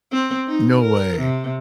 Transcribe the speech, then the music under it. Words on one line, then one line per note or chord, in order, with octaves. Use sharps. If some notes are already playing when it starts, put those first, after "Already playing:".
No way.
C4
D#4
A#4
C3